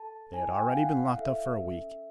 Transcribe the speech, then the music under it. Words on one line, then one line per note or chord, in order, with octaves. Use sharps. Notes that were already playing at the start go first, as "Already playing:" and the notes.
They had already been locked up for a week.
Already playing: A4 A5
E4 G#5
G5
G#5
F5
E4 F#5
F5
A4 E5
C#4